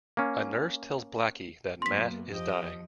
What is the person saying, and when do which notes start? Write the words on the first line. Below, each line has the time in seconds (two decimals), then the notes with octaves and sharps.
A nurse tells Blackie that Mat is dying.
0.17 A#3 C#4
1.82 F#2 A#3 B3 C6 B6
2.32 F2 F3 G4 D#5